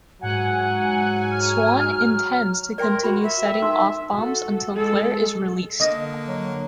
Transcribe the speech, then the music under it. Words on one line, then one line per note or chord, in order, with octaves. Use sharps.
Swan intends to continue setting off bombs until Claire is released.
G#2 F#3 F#5 G#5
F6
A#4 D5 G5 C6
F#4 B5
E5
A#4 G5
D#4 C6 E6
F#4 A4
G#3 A4
D3 A#3 D#5 D#6 A#6
F#3